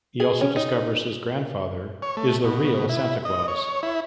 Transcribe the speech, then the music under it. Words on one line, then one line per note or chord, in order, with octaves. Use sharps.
He also discovers his grandfather is the real Santa Claus.
G#4
C#4
D#4
C#5
A3
B2
E4
D#5
C#5
E4